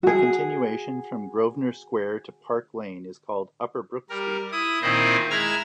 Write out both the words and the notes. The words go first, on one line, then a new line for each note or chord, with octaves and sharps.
The continuation from Grosvenor Square to Park Lane is called Upper Brook Street.
F#4 G#4
G3 A#4
E4 D#6
A#2 D#3 C4 E4 C5 D#5
G#3 E4 A#5 E6 F6 G#6